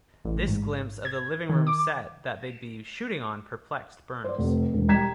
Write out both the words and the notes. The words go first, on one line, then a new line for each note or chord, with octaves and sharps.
This glimpse of the living room set that they'd be shooting on perplexed Burns.
A1
G#2
G#6
D#3
D6
C5 D5
F1
E1
G3 G5 A#5 G#6 B6 E7